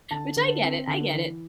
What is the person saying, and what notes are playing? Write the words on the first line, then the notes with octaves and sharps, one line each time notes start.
Which I get it, I get it.
D3 A5
D3
C4
D3
E3